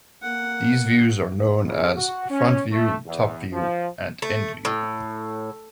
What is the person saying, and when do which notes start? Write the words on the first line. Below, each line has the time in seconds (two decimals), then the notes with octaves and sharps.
These views are known as "front view", "top view" and "end view".
0.23 A#3 F#5
1.64 C#2
1.96 F#4
2.30 C#4
2.71 A3
3.06 E2
3.52 F3
4.22 A3
4.65 A2